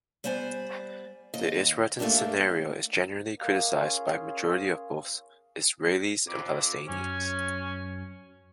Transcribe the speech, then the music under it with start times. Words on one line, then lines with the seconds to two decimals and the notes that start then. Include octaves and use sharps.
The Isratin scenario is generally criticized by a majority of both Israelis and Palestinians.
0.24 G3 B3 C5 D5 G#5
1.34 D#2 D#5
1.99 A3 A#3 C4 D4 G4
3.40 G#3 A#3 A#4 F5
3.74 C#4 F4 G#4
6.27 F2 D6
6.88 F#2 C#4